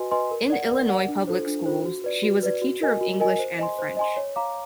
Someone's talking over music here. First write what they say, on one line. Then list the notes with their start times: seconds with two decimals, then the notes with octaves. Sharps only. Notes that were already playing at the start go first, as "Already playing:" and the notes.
In Illinois public schools, she was a teacher of English and French.
Already playing: F#4 B4 D#5 G#5 C6
0.11 B4 D#5 G#5 C6
0.31 A#4
0.50 D5 F#5
0.69 A#4
0.88 D5 F#5
1.08 D4
1.27 F4 A4 C5
1.47 D4
1.66 F4 A4 C5
1.85 F#4
2.04 B4 D5
2.23 F#4
2.43 B4 D5
2.62 F#4
2.82 A#4 D#5 G#5
3.01 F#4
3.20 A#4 D#5 G#5
3.39 C5
3.59 D#5 G#5 C6
3.79 C5
3.97 D#5 G#5 C6
4.17 C#5
4.36 F5 A#5 D6